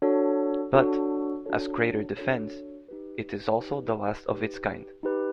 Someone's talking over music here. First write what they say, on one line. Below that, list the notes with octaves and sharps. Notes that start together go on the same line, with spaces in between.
But, as Crater defends, it is also the last of its kind.
D4 F#4 A4 C#5
D4 F#4 A4 C#5
D4 F#4 A4 C#5
D4 F#4 A4 C#5
D#4 G4 B4
D#4 G4 B4
D#4 G4 B4
D#4 G4 B4